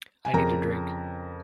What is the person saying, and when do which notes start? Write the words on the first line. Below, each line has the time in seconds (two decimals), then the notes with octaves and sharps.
I need a drink.
0.25 G#5
0.34 F2 C#3 A#4 A#5